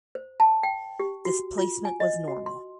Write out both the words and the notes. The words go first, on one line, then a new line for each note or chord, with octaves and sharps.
Displacement was normal.
C5
A5
G5
G4
F#4
F4
G#5
D#5
F#4
C6